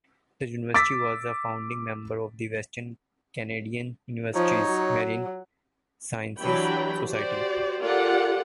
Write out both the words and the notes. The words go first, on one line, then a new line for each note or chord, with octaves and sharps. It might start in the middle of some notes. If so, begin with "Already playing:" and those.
The university was a founding member of the Western Canadian Universities Marine Sciences Society.
D6 E6 A6 B6
F3 D#4 C#5
F#3
E3 F#3 D4 G4 G5 B5
F#4 G4 C5 D5
F4 G4 A4 A#4 D5 F#5